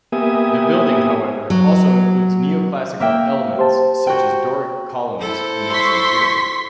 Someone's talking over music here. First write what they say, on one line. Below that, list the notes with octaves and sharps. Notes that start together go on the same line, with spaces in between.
The building however also includes Neoclassical elements such as Doric columns in its interior.
A#3 B3 G4 E5 G#5 D#6
F#3
A#3 E5 G5
G4 C5 A5
F#4 G5
E4 A4 C5
C6 C#6 B6